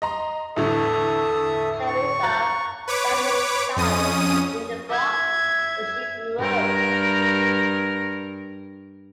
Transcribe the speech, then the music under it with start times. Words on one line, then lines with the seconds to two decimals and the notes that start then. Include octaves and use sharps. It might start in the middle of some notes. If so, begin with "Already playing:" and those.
Sharissa sang as a child in The Bronx where she grew up.
0.02 D#5 A#5 C6
0.56 E2 A2 D3 A4 E5 D#6
1.87 C#6
2.23 A#5 F#6 A6
2.88 B4 C#5 D6
3.77 F2 C#4 D#6 D#7
4.89 E5 G#6
6.39 G2 A#4